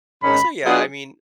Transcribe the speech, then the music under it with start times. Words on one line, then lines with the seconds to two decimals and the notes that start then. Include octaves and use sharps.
ye so, yeah, I mean,
0.22 G#2 D#3 G#3 C#4 B5
0.64 F#3 B3 D4 F4 G#4